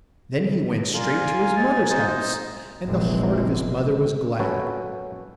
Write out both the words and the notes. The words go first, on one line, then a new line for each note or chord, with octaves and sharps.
Then he went straight to his mother's house, and the heart of his mother was glad.
F4 A#4 D5 F5 G#5
G#2 D#4 A6
D#4 C5 D#5
F1 A#1 E3 F#3 G#3 C4
F#3 C#4 F#4 A4 B4 C#5